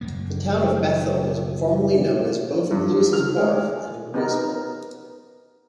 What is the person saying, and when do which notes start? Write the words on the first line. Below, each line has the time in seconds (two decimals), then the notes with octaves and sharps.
The town of Bethel was formerly known as both Lewis' Wharf and Lewisville.
0.01 F#1 F#2 A#3
2.71 G2
3.13 F6
3.36 G#3
4.14 B3 D#4 A#4